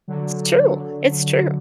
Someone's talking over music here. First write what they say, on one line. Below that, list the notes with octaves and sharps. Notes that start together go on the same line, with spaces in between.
It's true, it's true.
D3 F#3